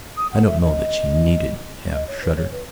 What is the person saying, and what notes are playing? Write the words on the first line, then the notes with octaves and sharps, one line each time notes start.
I don't know that she need have shuddered.
D#6
F#5
E5
D#5
D#5
C#5
B4
C#5
B4